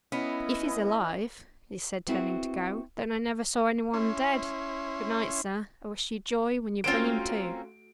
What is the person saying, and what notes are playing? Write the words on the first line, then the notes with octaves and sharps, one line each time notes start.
"If he's alive," he said, turning to go, "then I never saw any one dead! Good night, sir, I wish you joy when you bring him to."
B3 C#4 E4 D#5
B3 C4 E4 F#4 G#4
C#4 E4 C6
A3 A#3 C4 C#4 F4 F#4 C5 D7